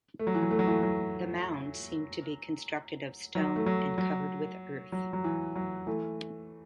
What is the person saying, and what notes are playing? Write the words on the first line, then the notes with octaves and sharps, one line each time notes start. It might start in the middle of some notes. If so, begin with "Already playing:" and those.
The mound seemed to be constructed of stone and covered with earth.
A3
F#3
E3
F#3
A3
F#3
E3 A3
F#3
F#3
A3
F#3
F#3
F#3
F#3
E3
F#3
E3 A3